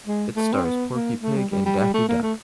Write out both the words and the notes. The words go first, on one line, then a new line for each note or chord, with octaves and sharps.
It stars Porky Pig and Daffy Duck.
G#3
A3
C4
B3
A#3
A3
G3
G3
G3
G3
A3
A#3
A3